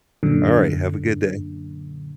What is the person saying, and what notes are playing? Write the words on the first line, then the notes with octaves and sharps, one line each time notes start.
Alright, have a good day.
F#2 A#2 D3